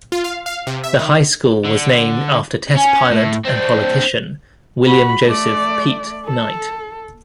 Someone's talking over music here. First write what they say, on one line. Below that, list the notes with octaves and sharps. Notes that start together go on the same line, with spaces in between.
The high school was named after test pilot and politician William Joseph "Pete" Knight.
F4
F5
F5
C3
E5
D#3
D3
C#4 G#5
A2 A3
C4 D4 C5
F#4 B5
A3 D5
A4